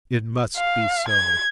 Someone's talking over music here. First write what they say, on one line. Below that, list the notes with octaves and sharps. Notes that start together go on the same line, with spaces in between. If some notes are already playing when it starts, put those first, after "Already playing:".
It must be so.
F5
G#6